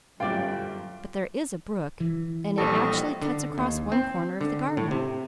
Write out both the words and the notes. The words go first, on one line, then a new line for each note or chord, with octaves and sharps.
"But there IS a brook--and it actually cuts across one corner of the garden."
G1 F#2 A2 G3 F4 D5 G5
E3
A#1 G3 C4 A4 D#5 C#6
D3
D#2
C4
D3
A2
C3